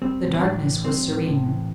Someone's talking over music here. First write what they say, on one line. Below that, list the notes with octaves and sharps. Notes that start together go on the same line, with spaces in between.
The darkness was serene.
G3 C4
A2
C4
A2 D4
E3
G3 C4
A2
A2
E3